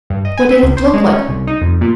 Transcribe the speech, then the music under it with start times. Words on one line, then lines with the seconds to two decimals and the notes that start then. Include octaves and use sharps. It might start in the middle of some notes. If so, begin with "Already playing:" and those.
"What did it look like?"
0.10 G2
0.25 D#5
0.37 G#5
0.51 E5
0.63 C#2
0.77 C5
0.94 G#3
1.12 C#4
1.29 C2
1.47 D#4
1.61 F2
1.81 A#2